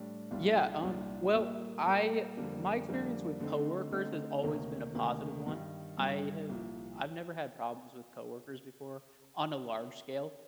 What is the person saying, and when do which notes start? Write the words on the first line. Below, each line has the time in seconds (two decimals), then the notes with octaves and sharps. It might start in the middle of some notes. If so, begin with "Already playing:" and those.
Yeah. Um. Well, I my experience with coworkers has always been a positive one. I have I've never had problems with coworkers before on a large scale.
Already playing: A2 G3 D4
0.31 C2 A#2 G3 D4 F4
0.83 C2 A#2 G3 D4 F4
1.34 A#2 G3 A#3
1.86 A#2 G3 A#3
2.37 F2 D3 G3 A#3 D4
2.89 F2 D3 G3 A#3 D4
3.40 D3 A3 C4 D#4
3.91 D3 A3 C4 D#4
4.43 D2 C3 D#3 A#3
4.95 D2 C3 D#3 A#3
5.46 G2 D#3 G3
5.98 G2 D#3 G3
6.50 C2 A#2 F3